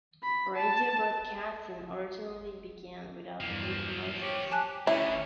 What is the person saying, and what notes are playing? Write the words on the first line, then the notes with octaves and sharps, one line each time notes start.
Radio broadcasting originally began without paid commercials.
B5
A5
E2 G2 F3 A#3
G4 C#5
G4 G#5 A5 F#6
D2 D3 C#4 E4